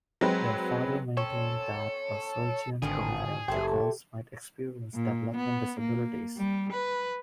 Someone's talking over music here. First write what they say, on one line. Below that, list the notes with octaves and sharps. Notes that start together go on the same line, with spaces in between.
Their father maintained that a surgeon told him the girls might experience developmental disabilities.
F#3 G#3 C4 B4
C4 C#4 A4 C#5
G#1 B2 D3 F3 G3 G#4
F#1 E4 G4 A4 C5
A#2
B3
A#3
G3
B4